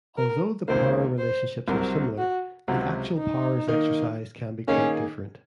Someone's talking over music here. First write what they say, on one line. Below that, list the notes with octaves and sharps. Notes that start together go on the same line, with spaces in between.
Although the power relationships are similar the actual powers exercised can be quite different.
A#4
C#2 C3 D#3 A#3 C5
C5
C2 C3 F#3 C4 A#4
F#4
C#2 C3 F#3 F#4
D#4
D#3 A#3 D#4 A#4 D#5
D#3 A#3 C#4 D#4 G#4